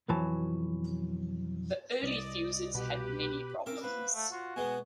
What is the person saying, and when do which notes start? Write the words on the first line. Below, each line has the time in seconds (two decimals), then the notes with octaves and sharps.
The early fuses had many problems.
0.08 B1 F2 E3 F#3 A5
2.03 C2 D5 D#5
2.75 B2 G4 B4
3.66 C4 C#4 A#4 E5 D6
3.83 B4 C5 F5 F#5
4.14 A3
4.32 F4 F#4
4.56 B2 G#3 B3 G#5